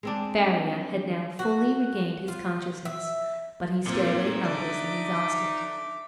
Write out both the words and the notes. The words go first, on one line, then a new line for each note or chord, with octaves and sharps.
Faria had now fully regained his consciousness, but he still lay helpless and exhausted.
G#3 C4 D4
F#4
F4
E5
A#2 A#3 C4 D#4 C6
D3 D5 E5 D6